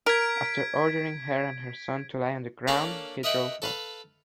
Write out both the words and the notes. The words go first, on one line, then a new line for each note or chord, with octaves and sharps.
After ordering her and her son to lie on the ground, he drove off.
A#4 G#6 B6 D7
A#3 C#4 D4 A4 F5 A#5
A#4 D#5 E5 F#5 G5
A4 B4 F5